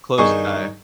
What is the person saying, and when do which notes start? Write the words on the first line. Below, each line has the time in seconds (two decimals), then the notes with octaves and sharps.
close, uh,
0.18 G2 D#3 G#4 C#6